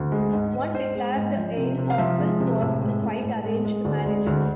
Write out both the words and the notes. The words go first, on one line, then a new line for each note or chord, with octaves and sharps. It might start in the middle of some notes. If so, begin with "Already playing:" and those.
One declared aim of this was to fight arranged marriages.
Already playing: D2
G#3
G#2
G#2
G#2 C5
G#3
G#2
F3
C3
C3
F5
F3 E5
G#3
C3
A2 E5
G#3
A2
A2
G#3
G#3
D2 D5
G#3
D2